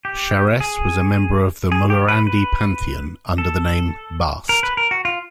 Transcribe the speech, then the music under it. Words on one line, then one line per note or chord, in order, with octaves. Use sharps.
Sharess was a member of the Mulhorandi pantheon, under the name Bast.
G4
G#4
G#4
G4
B4
B4
A4
A#4
B4
A#4
F#4
F4